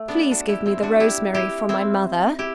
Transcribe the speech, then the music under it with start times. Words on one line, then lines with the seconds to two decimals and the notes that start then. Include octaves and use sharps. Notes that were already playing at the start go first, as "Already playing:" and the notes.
"Please give me the rosemary for my mother."
Already playing: A3
0.08 B3 D4
0.31 D4 F#4
0.48 E4 G4
0.66 C4 E4
0.83 D4 F#4
1.00 E4 G4
1.34 E4 G4
1.69 C4 E4
2.39 E4 G4